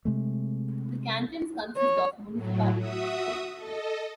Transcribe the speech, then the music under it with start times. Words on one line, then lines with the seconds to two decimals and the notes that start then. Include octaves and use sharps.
The cantons consist of municipalities.
0.05 C3 G#3 A3
1.77 C#5
2.32 A2 F#3
2.77 F#4 E5 D#6
3.54 A4 D#5